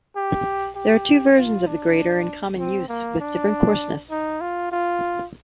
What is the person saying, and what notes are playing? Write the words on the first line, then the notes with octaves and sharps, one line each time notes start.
There are two versions of the grater in common use with different coarseness.
G4
G4
F4
D4
C4
A#3
D4
D#4
F4
F4